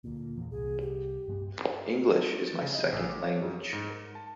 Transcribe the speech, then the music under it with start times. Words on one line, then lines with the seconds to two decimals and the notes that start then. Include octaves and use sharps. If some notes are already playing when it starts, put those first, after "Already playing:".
English is my second language.
0.04 D2 A#2 A#3
0.37 E2 A#2
0.51 C2 G#4
0.81 G4
1.28 G2 G#3 B3
2.47 A6
2.62 C#3
2.75 D#5
2.92 A1
3.09 D6
3.22 C#5
3.42 F#2
3.60 C#5
3.73 G#2
3.90 A#4
4.15 A5